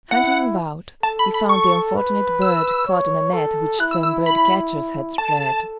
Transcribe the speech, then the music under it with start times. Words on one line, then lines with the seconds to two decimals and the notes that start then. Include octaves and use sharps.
Hunting about, he found the unfortunate bird caught in a net which some birdcatchers had spread.
0.11 E4 F#5
1.03 A4 A5
1.19 B5
1.34 B5
1.49 C#6
1.96 B4
2.42 E6
2.87 C#5
3.33 A4
3.80 E4 F#6
3.91 E6
4.03 E6
4.26 B5
5.18 A4 A5